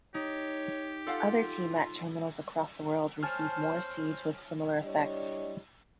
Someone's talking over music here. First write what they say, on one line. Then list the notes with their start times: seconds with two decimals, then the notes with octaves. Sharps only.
Other T-Mat terminals across the world receive more seeds with similar effects.
0.14 D#4 G4 C#5
1.07 F4 A4 F5 F#5
3.23 C5 C#5 G#5 A5 F6
4.82 G3 D4 E4 C#5 D#5